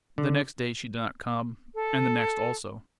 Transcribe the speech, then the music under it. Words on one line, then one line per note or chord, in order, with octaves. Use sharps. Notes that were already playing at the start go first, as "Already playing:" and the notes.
The next day she did not come, and the next also.
D3
A4